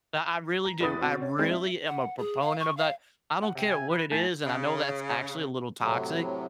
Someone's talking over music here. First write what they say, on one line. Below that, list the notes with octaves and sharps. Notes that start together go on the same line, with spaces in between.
I I really do, I really am a proponent of that. I don't care what it is, and I know that's actually a little toxic,
A#5
E2 E4 B4 D#6 A6
B2 C4
C#4
G#3 C4 D4 E4
E5
F#5
G#4
F5
C#6
F5
F#5
C3 G5
G#5
B4
A2 G#5 A5 G6
C#3
A2 C3 F#3